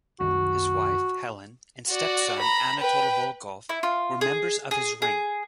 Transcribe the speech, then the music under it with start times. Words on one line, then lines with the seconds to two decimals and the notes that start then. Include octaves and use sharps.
His wife, Helen and stepson, Anatole Volkov, were members of his ring.
0.20 C2 F#2 D#3 F#4
1.90 F#4 D5
2.39 A#5 B5
2.80 B4 G5
3.69 E4
3.83 F4
4.21 G#4
4.71 G#4
5.02 G#4